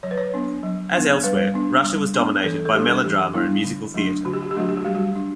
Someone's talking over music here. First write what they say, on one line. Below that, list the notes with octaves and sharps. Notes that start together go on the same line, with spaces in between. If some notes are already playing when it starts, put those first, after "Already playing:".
As elsewhere, Russia was dominated by melodrama and musical theatre.
F#3 C#5
B4
C#5
B3 D4
F#3
B3 D4
G3 B4
B3 D4
G3
B3 D4
E3 A4
A4
G3 B3 D4 G4
E3 G4
G3 B3 D4 E4
D3
F#3 A3 D4
D3 F#4
G4
F#4
G4
F#3 A3 D4 F#4
G4
F#4
G3 G4
F#4
D4